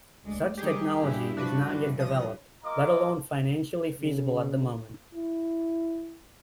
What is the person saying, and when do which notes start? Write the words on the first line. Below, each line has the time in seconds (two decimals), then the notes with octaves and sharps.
Such technology is not yet developed, let alone financially feasible at the moment.
0.25 D2 G#3 D5
0.57 D#3 G3 G4 G#4
1.03 G2 E4
1.37 F3 D4 F#4 B4
1.68 E3
1.99 F3 D#6 A#6
2.64 A#3 F4 D#5 A#5 D6
3.99 C#3
5.15 E4